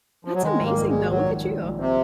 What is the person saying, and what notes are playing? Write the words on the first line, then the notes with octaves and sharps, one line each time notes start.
That's amazing, though. Look at you.
F3
F#3
D#3 G#3
G#2
A#3
A#1
G#3
A#1
D#3 F#3
G#2
A#1
A#1
C3 C4